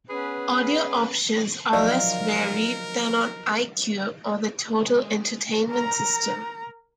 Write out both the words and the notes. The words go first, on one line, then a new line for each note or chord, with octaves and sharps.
Audio options are less varied than on iQ or the Total Entertainment System.
B3 C#4 G#4 B4
D#3 F3 F#3 A#4 D5 F5
G#3
A#4 A#5